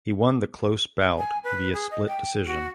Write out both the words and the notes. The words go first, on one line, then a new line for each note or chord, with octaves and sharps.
He won the close bout via split decision.
G#5
B4
G#4
D#5
G5
F#4